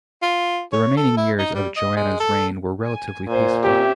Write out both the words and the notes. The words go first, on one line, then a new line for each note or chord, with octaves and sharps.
The remaining years of Joanna's reign were relatively peaceful.
F4
C#5
A4
E4
D#4
G3
D#5
G#3
A4
G#5
A#2 C5 G#5
C4 C#4 G4 E5